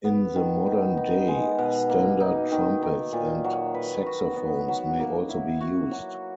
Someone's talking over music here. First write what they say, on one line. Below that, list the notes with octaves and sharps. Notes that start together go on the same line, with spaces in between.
In the modern day, standard trumpets and saxophones may also be used.
B3
D#3
D#4
D#4
G#3
B2
A#3
D#4
D#3
D#3
A#2
F#3
B4
F#4
B3
F#3
A#3
E4
F#4
F#3